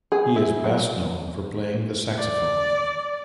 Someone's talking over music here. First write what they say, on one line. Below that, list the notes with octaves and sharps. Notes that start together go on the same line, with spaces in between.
He is best known for playing the saxophone.
G#4
E4
F#3
D5